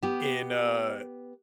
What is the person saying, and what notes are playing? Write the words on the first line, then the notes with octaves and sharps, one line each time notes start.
in, uh,
B3 G4